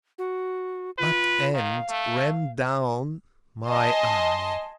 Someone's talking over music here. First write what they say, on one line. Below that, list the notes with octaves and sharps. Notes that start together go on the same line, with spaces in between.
"Butt end! ram down!! my eye!!"
F#4
F4 B4
D#3 F5
A3
D#5 G#5 A5 C6